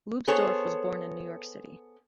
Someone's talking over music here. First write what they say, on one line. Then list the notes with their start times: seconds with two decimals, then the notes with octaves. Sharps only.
Leubsdorf was born in New York City.
0.28 B3 G#4 A4 C5 C#5